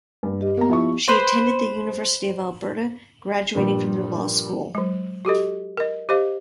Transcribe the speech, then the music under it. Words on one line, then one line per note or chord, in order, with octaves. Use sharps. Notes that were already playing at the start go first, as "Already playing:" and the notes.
She attended the University of Alberta, graduating from their law school.
G2
G4 D#5
A#3 B3 A#5
F3 E4 C#6
B4 C5
G2 A#2 F3 G3
F#3 G#3
F#4 G4 A4 D#5
A#4 D#5
G4 C5 D#5 F5